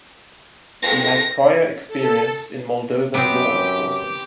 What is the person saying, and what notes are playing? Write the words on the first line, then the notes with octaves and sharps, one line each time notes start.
He has prior experience in Moldovan law enforcement.
A#6
A4
F#2 B3 C4 G4 D6